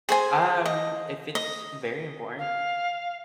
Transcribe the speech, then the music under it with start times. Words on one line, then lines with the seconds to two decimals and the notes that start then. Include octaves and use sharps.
Um, if it's very important,
0.09 G#4 C5 G#5
0.66 D#5
1.35 D#5
2.39 F5